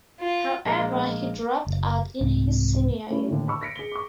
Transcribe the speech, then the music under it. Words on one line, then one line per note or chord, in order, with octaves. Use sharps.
However, he dropped out in his senior year.
F4
A#1 G#3 A#3 A#4 A#5
F#1
C2 G#2 C4
A3 C#4 E4
D#2 A2 D3
A5 B5 C#6 E6
A#6 B6 C#7 D7
G#4 G7
C#6 D6